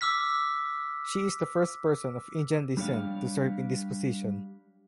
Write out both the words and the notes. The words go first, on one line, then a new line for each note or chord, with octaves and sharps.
She is the first person of Indian descent to serve in this position.
D6 E6 F6 B6
G3 D4 G4 C#5 F5